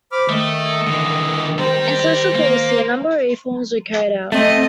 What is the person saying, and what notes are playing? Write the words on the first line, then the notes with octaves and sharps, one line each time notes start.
In social policy, a number of reforms were carried out.
C5 B5 D6 F6
D#3 A3 D#5
D3 E3
G3 C5 A#5
A#3
A3 C4 D#5